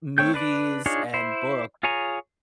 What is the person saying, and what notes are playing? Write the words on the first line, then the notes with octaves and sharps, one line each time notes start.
movies and books,
A3 C4 C#5 G5 G6
D4 B4 D5
D4 D#4 F4 G#4 C#5
E4 C5
F4 G#4 C#5 G#5 A#5